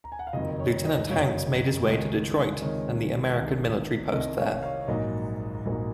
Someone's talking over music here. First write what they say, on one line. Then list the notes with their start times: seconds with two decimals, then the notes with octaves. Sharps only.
Lieutenant Hanks made his way to Detroit and the American military post there.
0.04 A#5
0.12 G#5
0.19 F#5
0.27 F5
0.33 F#1 F2 D#3 F#3 D#5
0.59 C#5
0.84 D#5
1.09 F#1 F2 D#3 F#3 C#5 F5
1.85 C#2 C3 D#3 G#3 D#4
2.62 C#2 C3 D#3 G#3 D#4 C#5
3.36 C2 C3 D#3
4.12 C2 C3 D#3 D#5
4.38 C#5 F5
4.63 C#5 F5
4.81 C#5
4.88 A#1 G#2 F#3 A#3 D#5
5.65 A#1 G#2 F#3 A#3